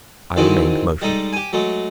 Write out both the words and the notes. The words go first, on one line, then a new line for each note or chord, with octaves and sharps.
I remained motionless.
D3 D#3 F#3 G#3 C4 E4
G3 G#3 D#4 A4
G4 G#5
F#3 G#3 A3